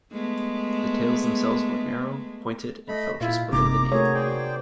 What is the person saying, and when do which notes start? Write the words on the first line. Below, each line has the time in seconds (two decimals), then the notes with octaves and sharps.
The tails themselves were narrow, pointed, and fell just below the knee.
0.12 G#3 A3 B3
2.88 A3 D#5 B5
3.21 A#2 E4 F4
3.52 G1 C3 A#3 D#4 A#5 D6
3.92 A3 F#4 G#4 A#4 C#5
4.15 C5 D5 G5